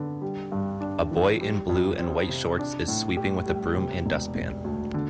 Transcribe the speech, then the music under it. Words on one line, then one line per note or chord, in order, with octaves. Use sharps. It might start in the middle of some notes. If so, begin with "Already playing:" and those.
A boy in blue and white shorts is sweeping with a broom and dustpan.
Already playing: D3 B3
G3
G2
D4
E3
G3
F2
C4
C3
D4
A2
G4
G3
C3
E1
E1
D2
D3